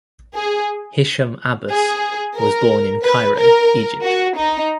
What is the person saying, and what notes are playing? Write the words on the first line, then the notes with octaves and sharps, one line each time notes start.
Hisham Abbas was born in Cairo, Egypt.
G#4
G#4
A#4
B4
A#4
F#4
D#4